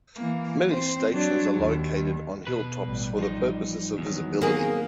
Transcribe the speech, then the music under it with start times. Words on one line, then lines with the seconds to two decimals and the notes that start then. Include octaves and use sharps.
Many stations are located on hilltops for the purposes of visibility.
0.17 E3 A#3
0.69 C4 C5
1.13 F#3 D4
1.58 D#2 D#3
2.47 B2 B4
2.84 A1 G3
3.19 F3 D#4
3.98 E2 D#3 F#3 B3
4.42 D#3 A#3 C4 G#4